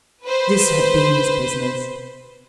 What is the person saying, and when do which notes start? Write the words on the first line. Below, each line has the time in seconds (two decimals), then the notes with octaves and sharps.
This had been his business.
0.25 B4 C5